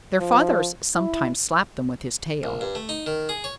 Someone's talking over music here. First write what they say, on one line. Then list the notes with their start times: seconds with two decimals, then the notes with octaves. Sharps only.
Their father sometimes slapped them with his tail.
0.18 F3
0.95 E4
2.43 A#1
2.61 G2
2.75 A3
2.89 D#4
3.06 D#3
3.29 G#4
3.44 C#5